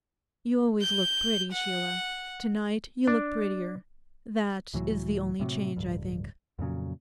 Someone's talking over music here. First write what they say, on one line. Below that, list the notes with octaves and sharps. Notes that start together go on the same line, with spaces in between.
'You always look pretty, Sheila; to-night you look prettier: THAT is the only change, I think.'
G6
F#5
D4
C#2 A2 E3 F#3
A2 C3 D#3 F#3
D1 G2
F2 A#2 C#3 F#3